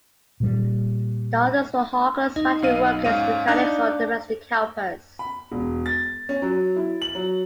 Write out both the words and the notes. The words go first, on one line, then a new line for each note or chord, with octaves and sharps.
The others were hawkers, factory workers, mechanics or domestic helpers.
A#2 G3
D#4 D#5
B1 F5 D#7
G#2 C#4 F5 D#7
D4 D#4 D5 D6 F#6
B5
E1
A6
C#4
F#3
E4
F#7
F#3